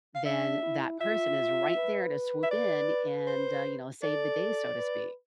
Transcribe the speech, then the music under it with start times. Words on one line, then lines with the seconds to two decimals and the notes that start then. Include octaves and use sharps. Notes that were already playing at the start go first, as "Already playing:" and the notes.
then that person is right there to swoop in and, uh, you know, save the day, so to speak.
0.15 F5
0.25 D4 E5
0.63 E4
1.01 F4 E5
1.38 F4
1.76 B4
2.43 E5
2.51 D5
3.27 C5
4.02 A4 D5
4.78 B4